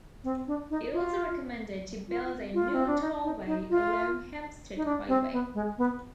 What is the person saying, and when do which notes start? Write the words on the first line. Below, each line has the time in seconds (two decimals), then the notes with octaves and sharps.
It also recommended to build a new tollway along Hempstead Highway.
0.24 C4
0.47 D4
0.70 D#4
0.93 F4
2.09 F4
2.54 F4
2.73 C4
2.87 D4
3.01 D#4
3.24 D#4
3.47 D#4
3.70 F4
4.76 D#4
4.85 D4
5.08 C4
5.32 B3
5.54 G#3
5.78 B3